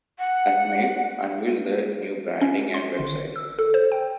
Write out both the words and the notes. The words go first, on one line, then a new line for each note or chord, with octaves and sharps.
Atmail unveil their new branding and website.
F#5
C#4
C6
G1
E6
A4
C5
G5